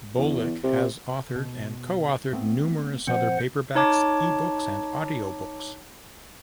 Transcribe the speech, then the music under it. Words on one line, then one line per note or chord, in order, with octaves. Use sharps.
Bolick has authored and co-authored numerous other paperbacks, ebooks and audiobooks.
E2
C3
B2
A3 B3 C4
A#2 F3 C4 C5 F#5
D#4 C#5 A5 D6